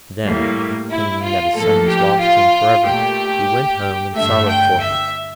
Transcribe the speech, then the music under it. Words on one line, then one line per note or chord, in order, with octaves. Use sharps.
Then, thinking that his son was lost to him for ever, he went home and sorrowed for him.
A2 G3 A#3
E4
F4
A2 F3 A#3 A4
G4
F4
A#2 A3 G4
G2 D3 A3 E5
G5
E5